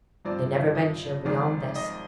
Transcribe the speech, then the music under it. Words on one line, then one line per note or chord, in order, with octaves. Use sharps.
They never venture beyond this.
G2 F3 C4 D5
D#5
F2 D#3 G#3 D5
D#5